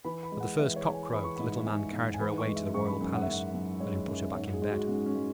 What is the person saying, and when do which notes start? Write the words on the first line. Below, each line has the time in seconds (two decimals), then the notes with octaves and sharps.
At the first cock-crow, the Little Man carried her away to the royal palace, and put her back in bed.
0.05 E3 B5
0.23 B5
0.32 G#3
0.40 F#5
0.59 E3 E5
0.76 C#5
0.85 G#3
0.94 G#5
1.13 E3 B5
1.24 C#6
1.36 G#2 B5
1.66 G#2 G#5
1.93 G#2
2.14 G#5
2.20 E3 B5
2.38 C#6
2.47 G#3
2.56 E5
2.74 F#2 C#6
2.87 B5
3.01 F#2
3.14 F#5
3.22 E5
3.28 F#2 F#5
3.54 F#2
3.80 G#3 C#5
4.08 F#2
4.35 G#2 C#5
4.53 G#4
4.62 G#3
4.71 F#4
4.88 G#2 C#4
5.06 C#4
5.15 G#3